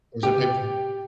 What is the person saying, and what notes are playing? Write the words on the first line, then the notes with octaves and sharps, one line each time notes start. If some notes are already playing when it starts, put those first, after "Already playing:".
Or is it pay-per-view?
G4